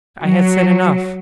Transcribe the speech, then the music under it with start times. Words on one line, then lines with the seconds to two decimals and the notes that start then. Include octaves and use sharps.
I had said enough.
0.22 F#3